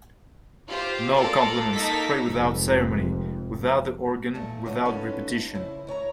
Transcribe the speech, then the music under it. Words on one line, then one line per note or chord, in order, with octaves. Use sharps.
No compliments, pray without ceremony, without the organ, without repetition.
F4 G4 C5
F4 A4 A#4 D5
A#3 D#4 A4 A#4 A#6 B6
F1 F2 G#2
E2 A#2 A3 E4 A5
C#3 F#3 G3 A3 B3
F#3 C#4 D#4 F4 A4 B4
C#3 F3 E4
E4 C#5 A5 A#5